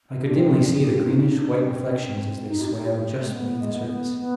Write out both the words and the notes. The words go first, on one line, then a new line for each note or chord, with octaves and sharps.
I could dimly see their greenish-white reflections as they swam just beneath the surface.
D4
C4
D4
G#4
G4
F4
D#4
D4
C4
D#4
G4
G#3
B3
G#3
B3
B3
B3